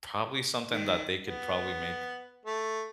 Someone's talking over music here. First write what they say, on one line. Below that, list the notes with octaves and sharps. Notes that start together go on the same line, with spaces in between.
probably something that they could probably make
D#3
B3
A3